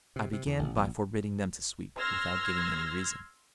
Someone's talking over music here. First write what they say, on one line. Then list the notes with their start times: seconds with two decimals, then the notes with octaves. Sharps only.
I began by forbidding them to sweep, without giving any reason.
0.16 C3
0.33 C3
0.46 E2
0.59 A1
0.77 A#1
1.99 C6 E6 F6 G#6 A#6